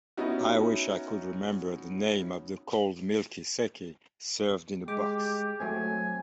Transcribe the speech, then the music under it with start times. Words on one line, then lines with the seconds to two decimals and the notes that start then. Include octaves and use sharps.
I wish I could remember the name of the cold milky saké served in a box.
0.17 B3 C#4 D#4 E4 F#4
4.88 G#3 G4 D6
5.60 F#3 A3 C4 G#5